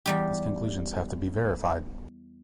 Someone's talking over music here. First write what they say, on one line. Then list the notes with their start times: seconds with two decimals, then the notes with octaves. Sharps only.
These conclusions have to be verified.
0.06 E2 G3 G4